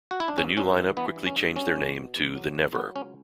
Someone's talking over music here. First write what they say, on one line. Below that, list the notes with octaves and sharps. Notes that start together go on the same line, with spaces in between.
The new lineup quickly changed their name to The Never.
F#4
E4
D4
G2 C#4
G2 C#4
E3
E3 B3
G2
C#4
G2
F#3 C#4
E2
B2
E2
F#3
E2
F#3 B3
C#2 C#4